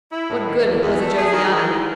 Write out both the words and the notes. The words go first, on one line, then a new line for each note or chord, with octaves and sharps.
What good was a Josiana?
E4
A2
D#3
E2
E2
A3
G#4
D#3
E3
G#2